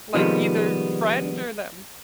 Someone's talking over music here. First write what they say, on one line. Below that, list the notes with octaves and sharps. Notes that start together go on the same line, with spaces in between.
Like either friend or them.
C3 D#3 F3 G3 G#3 B3